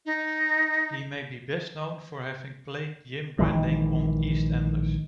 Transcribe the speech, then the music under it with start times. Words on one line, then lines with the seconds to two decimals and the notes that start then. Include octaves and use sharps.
He may be best known for having played Jim Branning on "EastEnders".
0.05 D#4
3.39 A#1 D#3 E3 G#3